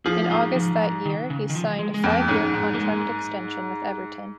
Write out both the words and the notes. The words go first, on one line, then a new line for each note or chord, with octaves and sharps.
In August that year, he signed a five-year contract extension with Everton.
F3 G#4
G#2 F4
F3
D#3
C#3
D#3
F3
G#3
G#3
F2 A#3
G#2 C#4
G#2
A#3
G#3